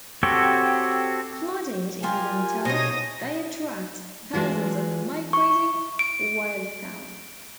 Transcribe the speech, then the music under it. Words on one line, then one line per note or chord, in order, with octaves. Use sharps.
Flooded in winter, they attract thousands of migrating wildfowl.
C4 F#4 G4 A4 C#5
F4 G4 A#4 G#5
B2 D#4 C5 C#5 D#6 A#6
E3 G#3 F4 F#4
C#6
D7